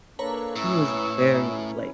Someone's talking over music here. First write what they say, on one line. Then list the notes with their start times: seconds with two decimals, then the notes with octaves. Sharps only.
he was very, like,
0.19 A#3 D4 A4 B4 C#5 A#5
0.56 A2 C#4 E4 C#6 E6